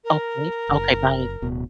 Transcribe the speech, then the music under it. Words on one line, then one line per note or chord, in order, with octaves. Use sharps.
okay, okay, by
A#4
F#1
D1 B2